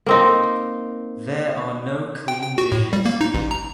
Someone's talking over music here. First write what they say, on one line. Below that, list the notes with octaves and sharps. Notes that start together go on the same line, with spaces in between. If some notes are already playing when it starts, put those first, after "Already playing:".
There are no clean dishes.
A#3 C4 D#4
G5
G5
F#4
A2
G3
A#3
D#4
A1
A#5